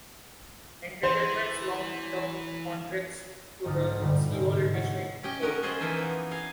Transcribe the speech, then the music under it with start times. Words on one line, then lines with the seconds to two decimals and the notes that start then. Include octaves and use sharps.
Entertainment's long-term contracts to the Seoul District Court.
1.03 E3 C5
3.65 B1 G#2 D3 D#6 F6 A6
4.01 G2 A#2 D3 G3
4.32 G#2 C3
4.73 A3 C#5 F#5
5.23 C#4 G4 D#5 G5
5.42 F#4 A#4 D#5
5.63 C#4 F4 G#4 C5 D#5
5.80 E3 F3 A#3 D#4 E4
5.98 B3
6.31 D#5 F5 G#5